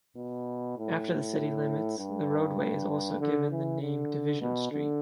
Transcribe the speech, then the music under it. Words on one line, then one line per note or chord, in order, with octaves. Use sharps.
After the city limits, the roadway is also given the name Division Street.
B2
A2
G2
D3
E3
D3
B2
D3